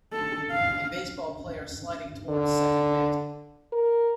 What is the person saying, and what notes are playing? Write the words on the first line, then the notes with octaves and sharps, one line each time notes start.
A baseball player sliding toward second base.
A4
F5
D3
A#4